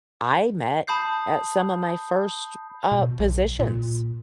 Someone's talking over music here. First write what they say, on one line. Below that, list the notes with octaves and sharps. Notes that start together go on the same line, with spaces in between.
I met at some of my first, uh, positions,
A5 B5 D#6 G6 C7
B2
B1
A#2